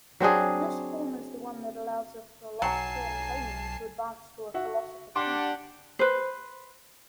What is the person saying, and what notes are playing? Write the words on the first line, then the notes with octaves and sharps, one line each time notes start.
This form is the one that allows a philosopher-in-training to advance to a philosopher-king.
F#3 C4 D4 G#4
B1 F#3 G#5 A5 C7
F#4 E5 F#5
D4 G4 F#5 C6
B4 C5